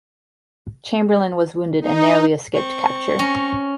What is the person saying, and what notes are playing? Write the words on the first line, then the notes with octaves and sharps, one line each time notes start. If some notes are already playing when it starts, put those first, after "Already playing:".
Chamberlain was wounded and narrowly escaped capture.
D#4
C4 C#6
C#4 A#5